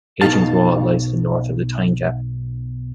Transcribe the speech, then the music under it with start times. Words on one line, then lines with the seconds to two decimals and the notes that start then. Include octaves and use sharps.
Hadrian's Wall lies to the north of the Tyne Gap.
0.21 B1 B2 D#3 D#4 F5 A5